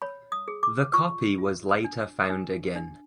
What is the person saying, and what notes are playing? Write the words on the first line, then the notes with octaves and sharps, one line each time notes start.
The copy was later found again.
C#5 B5
D#6
G#4
D6
F4 C#6
F4
D4
D4
D4